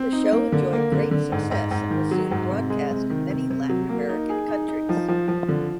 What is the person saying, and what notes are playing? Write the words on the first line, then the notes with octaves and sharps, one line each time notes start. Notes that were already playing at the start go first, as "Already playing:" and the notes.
The show enjoyed great success and was soon broadcast in many Latin American countries.
Already playing: C4
D#4
A#3
D3
A#3
D3
D3
G#2
G#2
G#2
D#3
F#3
G#2
C3
G#3
C3
D#3
C3
C3
F#3
A#3
D#4
G#4
D#4
D#4
F3
F3
F3
D3